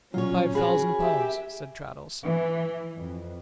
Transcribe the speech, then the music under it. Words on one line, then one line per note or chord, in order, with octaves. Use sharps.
'Five thousand pounds,' said Traddles.
A#2 F#3 C#4 F4 C#5
F#4 G#4 A#4 B5
G4 E5
E3
F2